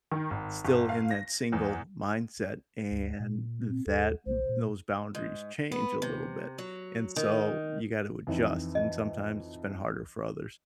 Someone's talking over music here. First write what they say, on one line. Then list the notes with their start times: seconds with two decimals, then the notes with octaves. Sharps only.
still in that single mindset, and that those boundaries change a little bit, and so you got to adjust, and sometimes it's been harder for others.
0.12 D#3
0.30 G#1
0.65 G1
0.89 F5
1.11 A#6
1.52 E2
2.92 D2
3.20 A#2
3.70 C4
3.87 D#2 A4
4.26 B1 C5
4.49 A#2
5.15 G#2
5.72 B3
6.02 C3
6.58 F#3
7.16 D#3
8.27 F2 E3 D#4
8.75 D#5